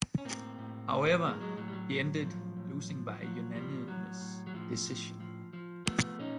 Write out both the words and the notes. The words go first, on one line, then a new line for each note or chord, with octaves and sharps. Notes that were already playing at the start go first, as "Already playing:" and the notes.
However, he ended losing by unanimous decision.
C#4
A2 A#3 C4
A2
A2
A2 G#3 A#3
F#3 G#3
A2 F#3
G3
F#3
A2
F3
A2
F3
F3 F#3
A2 F3 G3
A2 F#3
A2
F#3
A2 F3
A2
F3
F3
F3 A3 B3
A#2 C#4 D#4